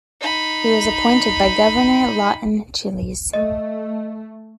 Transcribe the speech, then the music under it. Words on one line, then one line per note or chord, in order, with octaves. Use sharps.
He was appointed by Governor Lawton Chiles.
D#4 B5
A3 D#5